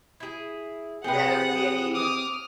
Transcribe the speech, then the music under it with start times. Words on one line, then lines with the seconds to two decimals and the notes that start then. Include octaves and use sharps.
that are getting
0.20 E4 G#4
1.04 C3 C4 G#4 B4 F#5 D#6
1.94 D6 D#6 F6